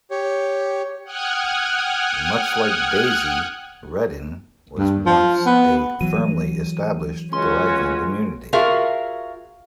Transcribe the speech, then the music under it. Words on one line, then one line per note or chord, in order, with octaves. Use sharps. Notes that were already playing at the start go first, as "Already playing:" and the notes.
Much like Daisy, Redden was once a firmly established, thriving community.
G4 C#5
F#5 G5 D#6 F6 F#6 G#6
G2
F3
B3
E3 F#3 D#7
C#2 C#4 F#4 C6
F4 F#4 G#4 A#4 E5 F5